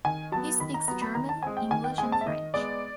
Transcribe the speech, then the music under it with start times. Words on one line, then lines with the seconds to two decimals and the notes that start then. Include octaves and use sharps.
He speaks German, English, and French.
0.05 D#3 G#5
0.32 F#3 B3 A5
0.60 D#3 B5
0.74 A#5
0.88 F#3 B3 A#5
1.02 B5
1.15 D#3 A#5
1.29 A5
1.43 G#3 C4 G#5
1.57 G5
1.71 D#3 G#5
1.84 G5
1.98 G#3 C4 G#5
2.12 A5
2.21 E5
2.26 D#3 D#5
2.54 G#3 B3 D5